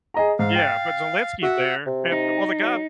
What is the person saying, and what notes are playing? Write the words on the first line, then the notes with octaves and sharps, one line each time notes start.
Yeah. But Zelenski's there. And well the guy
G#4 D#5 A#5
G#2 F5
G5 A6
F#4 E5 F#5
C3
D#4
F#3